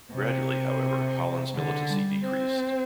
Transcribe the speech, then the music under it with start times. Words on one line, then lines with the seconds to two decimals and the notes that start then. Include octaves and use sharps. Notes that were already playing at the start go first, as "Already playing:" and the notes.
Gradually, however, Holland's militancy decreased.
0.13 C3
1.55 D3
1.90 G3
2.25 C4